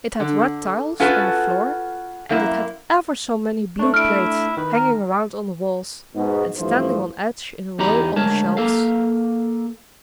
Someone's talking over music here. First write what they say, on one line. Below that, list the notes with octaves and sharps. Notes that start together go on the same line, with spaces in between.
It had red tiles on the floor; and it had ever so many blue plates hanging around on the walls, and standing on edge in a row on the shelves.
D3
C#4 F4 F#4 A4 B4
F#2 A#3 E4
A3 D4 C#5
E4 F6 D7
D#3 B4
A#4
G#2 B2
A1 G2 E3 F3 A3 C5
E2 D#4 G4 A#5 B5
D2 G#3 A#4 C#5 A5
A#3 A4 F5